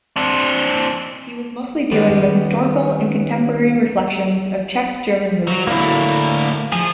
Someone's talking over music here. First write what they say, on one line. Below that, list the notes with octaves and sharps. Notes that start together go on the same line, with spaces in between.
He was mostly dealing with historical and contemporary reflections of the Czech-German relationships.
C4 D4
D#3 G3 B3 C#4
F#3
D2 A2 A#3 E4
F3 G#4